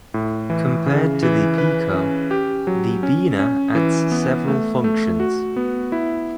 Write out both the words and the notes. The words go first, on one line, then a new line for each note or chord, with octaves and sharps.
Compared to the Pico, the Beena adds several functions.
A2
E3
C#3
E3
B4
C#4
G4
F#3
C#4
C#4
E3
B3
A3
A3
F#4
B3
E4